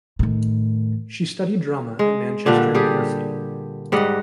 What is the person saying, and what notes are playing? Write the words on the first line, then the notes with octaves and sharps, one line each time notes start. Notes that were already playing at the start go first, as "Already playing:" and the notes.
She studied Drama at Manchester University.
A2 D#3
G#3
A#2 D3 G3 D4
G3 G4 G#4
G#2 G3 D#5 F#5